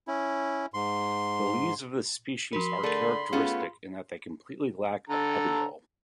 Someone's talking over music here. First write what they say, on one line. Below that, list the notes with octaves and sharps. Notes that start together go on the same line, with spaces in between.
The leaves of this species are characteristic in that they completely lack a petiole.
C#4 E4
G#2 C6
F3 F#4 A#4 B5 C6
D3 A3 G#4 A#4
A3 B3 C#4 F4 G#4
D3 A4 A#5